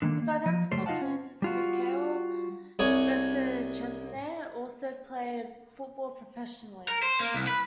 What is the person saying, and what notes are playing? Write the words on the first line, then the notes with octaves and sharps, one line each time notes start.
His identical twin Mikhail Beschastnykh also played football professionally.
D3 D#3 F#3 A#3
A#3
F3 D#5
C#2 F#2 G3 A3 C5 C#5
D#4 F4 D#5 F5 F#5 A5
C#4
G3 F4 F#4
C2 G#4 C#5
A#4
C5
A#3
C2
B4